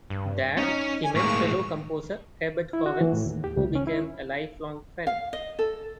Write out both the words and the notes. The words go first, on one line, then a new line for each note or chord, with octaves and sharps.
There he met fellow composer Herbert Howells, who became a lifelong friend.
G2
C#4 D#4
G#5
A2 G#3 A#3 C#6
E4
F#4
E3
A2
D#2
G4
C#2
C#4
E4
F5
D#5
A4